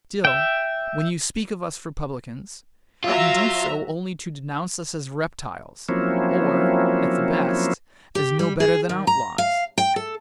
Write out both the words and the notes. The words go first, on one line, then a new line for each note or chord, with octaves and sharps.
Still, when you speak of us Republicans, you do so only to denounce us as reptiles, or, at the best, as no better than outlaws.
E5 G5
F#3 F4 E5 A#5
F3 F#3 A#3 C4 C#4 E4
G4
G3
G#4
D#3
A#5
F5
G5
A4